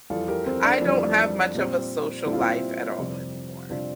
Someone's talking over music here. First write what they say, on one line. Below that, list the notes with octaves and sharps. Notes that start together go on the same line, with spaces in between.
I don't have much of a social life at all anymore.
F2 E3 G3 F4 A4
G4 A#4
C4
D4
F2 E3 G3
A#2 G3 C4
A#2 G3 C4 E4
F4
C4 E4
F2 C3 G3 C4
C3 G3 C4 D4 F4